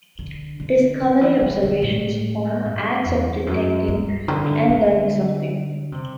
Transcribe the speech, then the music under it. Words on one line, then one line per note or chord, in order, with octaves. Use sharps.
"Discovery" observations form acts of detecting and learning something.
D3
D3
D3
E3
D3
D3
A2
G2
E2
F#2
G2
D3
D3
C3